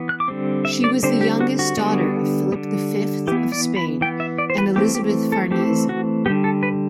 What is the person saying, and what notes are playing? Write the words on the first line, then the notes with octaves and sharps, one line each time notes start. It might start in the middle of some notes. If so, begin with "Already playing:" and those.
She was the youngest daughter of Philip the Fifth of Spain and Elisabeth Farnese.
Already playing: E3 B3
F#6
D6
D3 G3 C4
E5
D5
D3 G3 C4 C5
G4
F#4
F#4
D3 G3 B3
D3 G3 B3
E3 B3 G4
D5
B5
E3 B3 G5
E5
D5
C5
B4
E3 A3 C4 G4
G4
A4
E3 A3 C4 G4
F#4
D3 G3 B3 G4
A4
B4